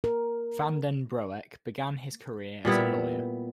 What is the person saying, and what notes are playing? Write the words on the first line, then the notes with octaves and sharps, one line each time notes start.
Van den Broek began his career as a lawyer.
A#4
A#2 G3 B3 E4